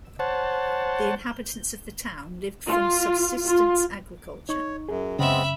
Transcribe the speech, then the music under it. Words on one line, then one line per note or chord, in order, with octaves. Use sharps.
The inhabitants of the town lived from subsistence agriculture.
C5 C#5 F#5 A5
F4
F4
D#4 C#5 C#6
F#2 G#4
F#2 C#3 G#3 B3 C4 E5 B5